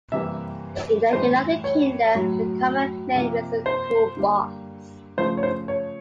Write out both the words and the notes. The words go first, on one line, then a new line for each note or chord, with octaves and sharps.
In the United Kingdom the common name is a "cool-box".
C3 E3 G3 A#3 E5
A2 E3 G3 C5
C#5
A2 F#3 A3
C3 F3 A#3
C5
D3 G3 A#3
C#3 F3 A3 C5
C#5
C5
C#5